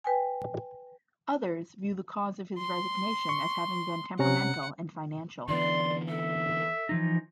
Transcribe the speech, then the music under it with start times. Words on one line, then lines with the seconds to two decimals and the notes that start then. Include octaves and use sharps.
Others view the cause of his resignation as having been temperamental and financial.
0.04 B4 G5 G#5
2.58 C6
3.29 C#6
4.19 C3 C#4 F#5 A#5
5.48 D3 E3 B3 D5 C6
6.08 A4 E5
6.89 E3 F3 D#4